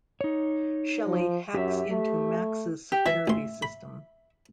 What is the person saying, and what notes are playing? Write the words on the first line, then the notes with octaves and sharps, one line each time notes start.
Shelly hacks into Max's security system.
D#4 C#5
F3
F#2 G4 E5
A3
G4
E3 E5
A1 C6
B5